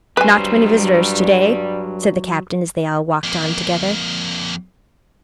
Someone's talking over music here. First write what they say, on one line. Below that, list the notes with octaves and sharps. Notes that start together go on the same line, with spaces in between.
"Not many visitors to-day," said the Captain, as they all walked on together.
G2 F#3 G3 B4 C5 G#5
F2 A#3